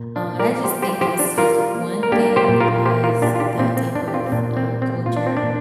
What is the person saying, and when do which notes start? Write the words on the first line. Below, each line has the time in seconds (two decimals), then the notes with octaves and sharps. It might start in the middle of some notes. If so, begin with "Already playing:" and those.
um, and I just think it's just one thing as that type of, uh, culture
Already playing: A#2
0.16 D4
0.27 F3
0.39 A#4 D5
0.64 F3 G4 C5
0.82 G4 C5
1.01 F3 G4 C5
1.19 D4
1.37 G3 F4 A#4
1.75 A#3
2.03 A#4
2.12 A#3 D4 G4
2.36 G4 C5
2.48 A#2
2.60 F4 A#4
2.86 A#3 G4 C5
3.04 F4 A#4
3.22 A#2 D4 G4
3.36 F4
3.40 D4 G4
3.58 A#2 C4 F4
3.77 C4
3.95 A#2 D4
4.08 G4
4.14 C4 F4
4.26 C4
4.32 A#2 D4
4.57 C4
4.69 G3
4.82 C4
5.06 A#2 F4
5.17 D4
5.27 C4
5.37 D4
5.43 A#2